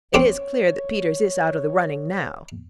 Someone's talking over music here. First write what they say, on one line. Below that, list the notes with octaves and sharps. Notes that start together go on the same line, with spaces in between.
It is clear that Peters is out of the running now.'
C4 C#4 G4 C#5